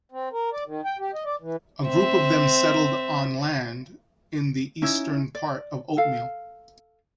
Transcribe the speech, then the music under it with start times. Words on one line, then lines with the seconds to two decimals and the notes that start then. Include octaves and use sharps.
A group of them settled on land in the eastern part of Oatmeal.
0.12 C4
0.33 A#4
0.53 D5
0.66 D#3
0.84 G5
0.99 G4
1.14 D#5
1.25 D5
1.41 E3
1.83 C4 E5
4.82 C#4 D#4 E4
5.35 D5
5.97 A4 F5